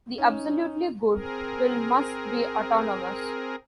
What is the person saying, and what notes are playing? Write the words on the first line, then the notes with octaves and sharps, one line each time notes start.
The absolutely good will must be autonomous.
C#4 D#4
C4 G#4 A#4